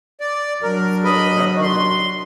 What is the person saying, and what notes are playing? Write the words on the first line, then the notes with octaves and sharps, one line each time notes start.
so that's all the
D5
F#3 D4 A#4
D#5 B5
C6